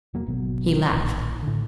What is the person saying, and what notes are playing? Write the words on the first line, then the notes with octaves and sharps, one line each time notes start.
He laughed.
E1 F#3 A#3
G#1 B2 F#3
D1 A#1
A2 D3